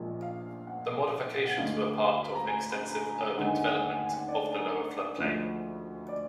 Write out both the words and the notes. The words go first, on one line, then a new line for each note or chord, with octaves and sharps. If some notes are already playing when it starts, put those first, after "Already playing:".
The modifications were part of extensive urban development of the lower floodplain.
Already playing: A#1 A#2 F3 G#3
F5
F#5
F#5
D2 D3 G#3 F5
B5
A#5
G#5
B5
A#5
G#5
D#2 D3 G#3 F#5
G#5
F#5
G#5
F#5
G#5
F#5
G#5
F#5
G#5
F#5
D5
A#4
D2 D3 F3 G#3
D5